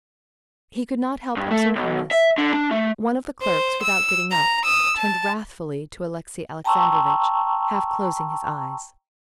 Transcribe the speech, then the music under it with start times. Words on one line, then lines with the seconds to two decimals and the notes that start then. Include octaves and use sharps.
He could not help observing this. One of the clerks, without getting up, turned wrathfully to Alexey Alexandrovitch, half closing his eyes.
1.37 G2
1.51 A3
1.75 B1
2.11 E5
2.38 D3
2.53 D4
2.71 A3
3.42 C5
3.83 E6
4.31 A#5
4.64 D#6 E6
4.97 A5
6.64 G5 A5 A#5 C6 C#6 E6